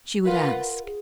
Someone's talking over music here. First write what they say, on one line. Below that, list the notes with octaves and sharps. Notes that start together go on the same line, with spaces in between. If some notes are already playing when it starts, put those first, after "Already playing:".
She would ask.
F4 A#4 B4 F#5
G#4